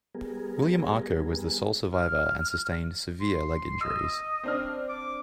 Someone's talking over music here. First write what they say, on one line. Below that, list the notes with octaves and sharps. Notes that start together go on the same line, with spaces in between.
William Arko was the sole survivor and sustained severe leg injuries.
G3 B3 G#4 A#4
F6
C6
D#5 E6
C4 D4 F6
D6